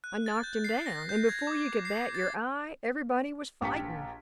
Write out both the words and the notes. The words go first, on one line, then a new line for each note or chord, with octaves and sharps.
I knocked him down, and before you could bat your eye everybody was fightin'.
F#6
A6
G6
C7
A#6
G6
G#6
D6
C7
A6
A#1 G4 A5 A#5 B6 C#7